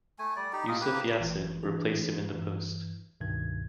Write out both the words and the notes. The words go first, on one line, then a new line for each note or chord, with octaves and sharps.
Yusuf Yasin replaced him in the post.
A3 G#5
G3 D5
D#4 G4
F4 G#4 D#5
A#3 G4 B4
G#1 E3
E3 D4 G#4
G2 E3
C#2 G2 B2 D#3 G#6